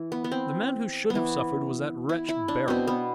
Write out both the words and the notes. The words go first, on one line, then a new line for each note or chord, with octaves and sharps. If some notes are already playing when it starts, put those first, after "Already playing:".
"The man who should have suffered was that wretch Beryl."
Already playing: E3
B3
B3
C4
B3
E3
E4
E4
D4
B2 B3 C4
B3